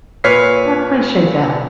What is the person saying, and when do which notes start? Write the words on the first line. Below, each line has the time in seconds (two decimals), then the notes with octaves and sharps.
I appreciate that.
0.24 A#2 B4 C#5 F6 B6 C7